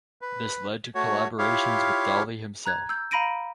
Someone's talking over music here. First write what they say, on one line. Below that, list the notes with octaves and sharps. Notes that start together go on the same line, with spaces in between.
This led to collaborations with Dali himself.
B4
A3 F#4 C#5
E4 F4 G4 C#5 F5
A#5 F#6 G#6
E6 G6
F5 A#5 B5 A#6 D7 D#7